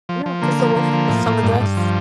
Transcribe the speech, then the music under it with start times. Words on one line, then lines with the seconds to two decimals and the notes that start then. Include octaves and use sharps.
Yeah, just a little a summer dress.
0.09 F3
0.26 F3
0.42 D3 A#3
0.59 F3
0.76 D3
0.93 F3
1.09 A2
1.26 A2
1.43 G2
1.60 G2
1.77 F3